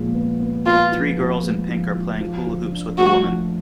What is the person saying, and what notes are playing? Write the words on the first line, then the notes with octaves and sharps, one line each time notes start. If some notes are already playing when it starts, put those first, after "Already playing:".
Three girls in pink are playing hula hoops with a woman.
Already playing: A#2 F3 G#3
B3
B3
B3 F4
F3
F3
G#3
F3
F3
F3
F3
D4
A3 F#4
F3